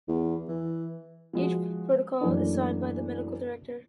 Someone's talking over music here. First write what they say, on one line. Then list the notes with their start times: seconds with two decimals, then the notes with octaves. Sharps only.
Each protocol is signed by the medical director.
0.08 E2
0.49 E3
1.33 F3 G#3 F#4
2.21 F#2 E3 A3 A#3 C#4 D4